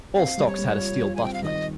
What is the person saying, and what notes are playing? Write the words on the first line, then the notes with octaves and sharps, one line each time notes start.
All stocks had a steel buttplate.
C4 F5
G3
C#5
G3
F4
F4
G#5
C4 G5
F5
D#3 D#5